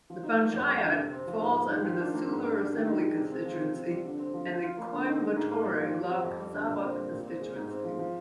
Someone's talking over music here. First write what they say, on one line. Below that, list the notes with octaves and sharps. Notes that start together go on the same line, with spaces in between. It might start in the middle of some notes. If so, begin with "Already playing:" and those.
The panchayat falls under the Sulur Assembly constituency and the Coimbatore Lok Sabha constituency.
F3
D#4
A#3
F2
G3
D3
C3
C4
F3
G#2
G#3
D#3
F3
D4
A#3
G#2
D4
G3
D#3
D#4
G#3
C3
C4
F3
C3
C4
G3
D3
C4
F3
F3
F4
A#3
D3
D#4
G#3
G#2
A#3
G3
F3
G4
C4
F2
G3
D3
A#2
C4
G3
A#2
C4
G#3
G#2
C4
F3
F3